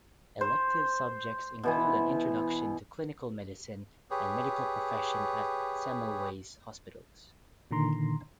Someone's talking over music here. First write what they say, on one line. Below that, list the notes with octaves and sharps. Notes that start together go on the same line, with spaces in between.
Elective subjects include an introduction to clinical medicine and medical profession at Semmelweis Hospitals.
C5
B2 E3 G#5
G4 G#4 B4 C#5
A#2 D3 D#3 A#5 C6